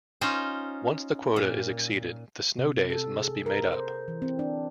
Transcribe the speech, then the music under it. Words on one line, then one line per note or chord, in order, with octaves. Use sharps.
Once the quota is exceeded, the snow days must be made up.
C#4 D#4 F4 C5
A#2
C3
A4
G#4
A#4
C5
E3
C4
D4